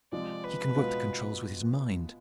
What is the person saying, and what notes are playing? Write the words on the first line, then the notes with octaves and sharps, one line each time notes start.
He can work the controls with his mind.
C3 F3 G#3 C4 D5
B4
B2 G#3 B3 F4